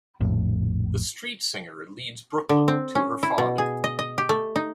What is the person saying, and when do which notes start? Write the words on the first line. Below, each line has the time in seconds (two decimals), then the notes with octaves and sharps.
The Streetsinger leads Brooklyn to her father.
0.20 A#1 F2 A2
2.49 D3
2.68 C4
2.95 C#4
3.23 E4
3.38 B2
3.58 G#4
3.84 D#5
3.99 D#5
4.18 G4
4.29 A3
4.56 D#4